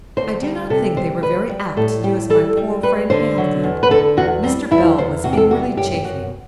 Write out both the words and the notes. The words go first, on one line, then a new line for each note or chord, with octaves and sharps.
I do not think they are very apt to do as my poor friend Hale did.' Mr. Bell was inwardly chafing.
D2 C5
G3
C3 A4
G3 C5
G3 B4
G3
A2 A4
G3 G4
G3 A4
G3
G3 B4
D3 C5
F#3
E2
B4
D3 A4
E2 F#4
G3 C4
E2 E4
E2 C5
C3 F#4
G4
A4
G3 F#4
F#2 G4
G4
F#2 F#4